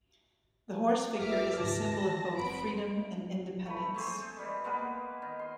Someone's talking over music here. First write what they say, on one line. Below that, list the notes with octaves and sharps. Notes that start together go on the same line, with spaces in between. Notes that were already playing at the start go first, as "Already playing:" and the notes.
The horse figure is a symbol of both freedom and independence.
F#1 F4 G4 B4 E5 D6 F6
D#2 G#2 C#3 A5 A#6
E3 F3 G3 C6
F#1 B3 C4 B5 D7
A3 B5
A3 C4 G#4 C5
E3 G3 G#3
G#3 A#3 B3 B4
D#3
C6